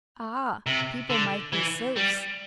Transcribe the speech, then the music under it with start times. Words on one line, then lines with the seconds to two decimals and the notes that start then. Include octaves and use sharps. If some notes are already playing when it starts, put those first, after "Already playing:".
Ah! people might be sylphs.
0.67 C3
1.10 D3
1.53 E3
1.96 G3